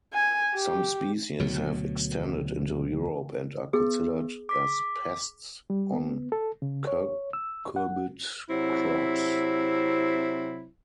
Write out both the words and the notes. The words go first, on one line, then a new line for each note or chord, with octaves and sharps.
Some species have extended into Europe and are considered as pests on cucurbit crops.
G#5
G4
D2 B2 F#3
B3 G#4
D6 B6
G3
B3
A4
C#3
C#5
E6
F#5
C3 F#3 C4 E4